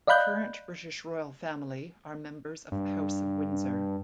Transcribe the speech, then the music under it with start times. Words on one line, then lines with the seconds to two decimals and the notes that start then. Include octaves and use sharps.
The current British royal family are members of the House of Windsor.
0.07 D5 D#5 F5 B5 F#6 G6
2.72 G2